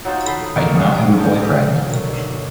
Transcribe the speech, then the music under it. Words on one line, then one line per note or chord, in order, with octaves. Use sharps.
I do not have a boyfriend.
F#3 D#4 F4 C5
A4 B5 C6
A#3 A#4 C#6 E6
G3 G#4 D#5 F#5
D#5 G5 A5 D6
C4 G4 G#4
B1 G2 B2 D3 D#3 F#3